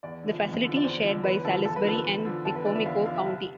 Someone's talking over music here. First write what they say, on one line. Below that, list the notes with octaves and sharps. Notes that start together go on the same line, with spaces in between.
The facility is shared by Salisbury and Wicomico County.
E2 D5
D3 F3
E2
D3
F3
D5
E2 C5
D3 F3
E2 B4
D3 F3 A4
E2 A4
B4
D3 F3 A4
E2
D3 F3
E2 A4
B4
D3 F3 D5
E5
E2 F5
F5
D3 F3 F5
E5
C2